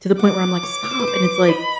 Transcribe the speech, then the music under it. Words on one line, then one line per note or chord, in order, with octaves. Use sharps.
to the point where I'm, like, "Stop." And it's, like,
F#5 D6
C#5
C#5
C5
B4
C5
D#5 B5